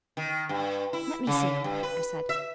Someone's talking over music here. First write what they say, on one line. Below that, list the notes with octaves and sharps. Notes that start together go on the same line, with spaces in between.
"Let me see him!" I said.
D#3
G2
E4
C#3
G2
B4
E5